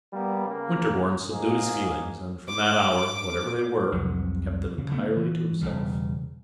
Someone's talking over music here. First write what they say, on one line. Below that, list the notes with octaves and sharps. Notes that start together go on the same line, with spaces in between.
Winterborne subdued his feelings, and from that hour, whatever they were, kept them entirely to himself.
G3 A#3 B3
C#3 A#3
G#2 A#3 G#4
D6
C2 F2 C3 F#3
C#3
C#3 A3 B3
E3
E1 C2 C#3 G3